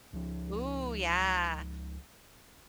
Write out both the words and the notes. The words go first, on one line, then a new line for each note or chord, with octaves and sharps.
Ooh, yeah.
C#2 F3